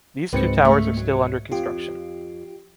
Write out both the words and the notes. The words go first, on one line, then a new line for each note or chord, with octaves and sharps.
These two towers are still under construction.
C#2 G#2 C4 F#4 B4 C#7
C#3 A3
F#3
F2 F4 G4